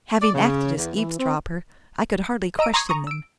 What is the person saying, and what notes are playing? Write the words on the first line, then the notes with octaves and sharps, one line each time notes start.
Having acted as eavesdropper, I could hardly question them.
D5
C#3
E2
E3
C4
D#5 A#5 E6 D7 D#7
A#5 C6 C#6 D#6 G#6
A#5 C#6 D#6
E6 D7